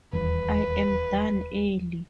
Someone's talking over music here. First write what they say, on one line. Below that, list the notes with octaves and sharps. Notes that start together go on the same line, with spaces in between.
I am done early.
D#1 E2 B4